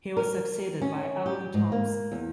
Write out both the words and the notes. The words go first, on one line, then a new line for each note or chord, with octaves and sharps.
He was succeeded by Allen Thompson.
A#4
C#4
G4
G#2
A#3
E2